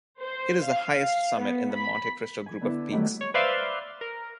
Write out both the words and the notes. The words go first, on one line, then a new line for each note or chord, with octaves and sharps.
It is the highest summit in the Monte Cristo group of peaks.
C5
F5
B3
B5
G#5
D3 B3 D4 E4
D#3 F#3 G3 A3 D#4 E4
C#5
B4 C5 D5 E5 F5 C6
A#4